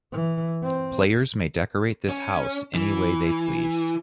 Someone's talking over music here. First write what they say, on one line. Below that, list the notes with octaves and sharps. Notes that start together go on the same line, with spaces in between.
Players may decorate this house anyway they please.
E3
C4
C#4
E3